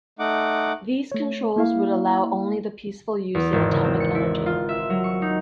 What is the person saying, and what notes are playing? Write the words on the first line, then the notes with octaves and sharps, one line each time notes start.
These controls would allow only the peaceful use of atomic energy.
A3 D#4 F#5 D6
A3 C#5
A#3 E4 F5
E2
G#1
C#3
C4
C#7
E4
F4
E5
F#3
C#6
D#4